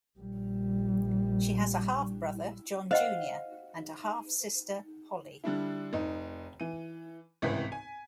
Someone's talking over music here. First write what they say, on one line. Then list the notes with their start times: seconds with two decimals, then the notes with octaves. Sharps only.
She has a half-brother, John, Junior and a half-sister, Holly.
0.20 A#1 G3
2.91 C5 D#5 F5 F#5
5.44 D3 G3 D4 E4
5.93 F1 D#4
6.60 E3 D#7
7.42 G#1 C#2 A2 C3 E3 B6
7.72 G#5